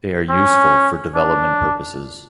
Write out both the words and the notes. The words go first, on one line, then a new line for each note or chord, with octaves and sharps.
They are useful for development purposes.
C#4
D4